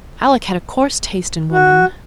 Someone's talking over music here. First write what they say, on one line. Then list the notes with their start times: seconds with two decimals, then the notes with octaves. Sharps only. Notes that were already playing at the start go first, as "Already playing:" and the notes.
Alec had a coarse taste in women.
1.52 F#4